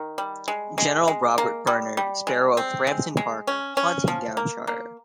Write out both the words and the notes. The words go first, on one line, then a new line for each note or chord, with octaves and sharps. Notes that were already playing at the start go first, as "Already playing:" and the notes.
General Robert Bernard Sparrow of Brampton Park, Huntingdonshire.
Already playing: D#3
G3
G#3
G#3
G#3
A#3
G3
G3
G#3
C4
G#3
G#3
C#4
C#4
F3
A#3
A#3